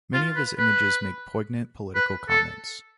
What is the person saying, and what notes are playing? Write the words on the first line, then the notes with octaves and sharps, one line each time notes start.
Many of his images make poignant political comments.
F4
B4
B4
B4
A4